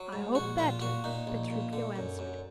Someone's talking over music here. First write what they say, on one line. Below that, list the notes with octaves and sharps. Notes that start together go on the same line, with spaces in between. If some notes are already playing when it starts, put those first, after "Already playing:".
"I hope, better," Petruchio answered.
Already playing: F#3
G#2
A#1 F#4
A#2 F4
A#2 F#4
A#2 D#4
A#1
A#2
D3
F#2
F#2